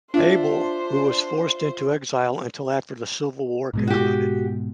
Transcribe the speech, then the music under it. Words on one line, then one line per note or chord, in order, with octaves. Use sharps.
Abell, who was forced into exile until after the Civil War concluded.
D4 F4 C5 E5
G#2 B2 G#3
F#4 G4